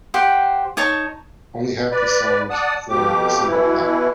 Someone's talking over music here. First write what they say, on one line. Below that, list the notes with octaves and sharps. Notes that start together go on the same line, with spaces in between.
Only half the songs form a single plot.
G4 C5 F#5 G5
D#4 C#5 A5 C#6
B4 D5
D5 F#5 A5 D#6
F2 B2 G4 D6
B2 E3 E4